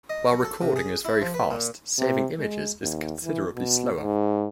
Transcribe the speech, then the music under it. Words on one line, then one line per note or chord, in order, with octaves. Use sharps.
While recording is very fast, saving images is considerably slower.
D#5
F#3
A4
C3
G#4
E4
F3
B4
A#2
C3
G#3
D#2
E3
B2
G#2